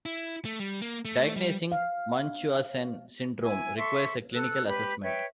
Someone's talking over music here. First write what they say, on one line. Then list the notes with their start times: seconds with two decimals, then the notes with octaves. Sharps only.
Diagnosing Munchausen syndrome requires a clinical assessment.
0.06 E4
0.45 A3
0.60 G3
0.81 A#3
1.05 A3
1.36 G3
1.72 F5
3.42 E4 G#5
3.77 A4 E5 C6 C#6
4.33 A4 E6 F#6
4.69 G4 B4 B5
5.03 B4 C#5 E5 G5